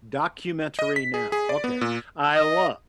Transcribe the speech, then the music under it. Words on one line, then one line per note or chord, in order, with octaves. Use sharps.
Documentary Now, okay. I love
D#5
B6
G#4
G#4
D5
B3
A#2
D#5